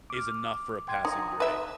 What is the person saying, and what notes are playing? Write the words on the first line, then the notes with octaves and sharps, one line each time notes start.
is enough for a passing grade."
D6 F6
G5 C6 G#6
D#4 A#5 D#6
B4 E5